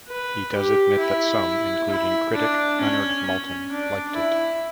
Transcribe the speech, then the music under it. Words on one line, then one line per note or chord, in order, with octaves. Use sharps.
He does admit that some, including critic Leonard Maltin, liked it.
B4
G4
E4
E4
D4
C#4
C#4
D4
E4